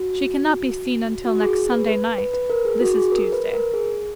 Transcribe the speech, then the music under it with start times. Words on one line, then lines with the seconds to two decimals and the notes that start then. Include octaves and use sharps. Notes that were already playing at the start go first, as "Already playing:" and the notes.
She cannot be seen until next Sunday night; this is Tuesday.
Already playing: F#4
1.25 F#4
1.40 G#4
1.56 G#4
1.72 B4
1.88 B4
2.18 B4
2.34 B4
2.50 A#4
2.65 G#4
2.81 F#4
2.96 G#4
3.12 A#4
3.32 B4
3.53 A#4
3.74 G#4